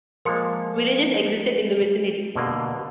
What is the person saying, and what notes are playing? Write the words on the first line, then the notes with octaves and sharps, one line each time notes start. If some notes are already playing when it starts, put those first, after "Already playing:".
Villages existed in the vicinity.
F3 G#3 A#3 A#4 C6 C#7
B2 D3 A#3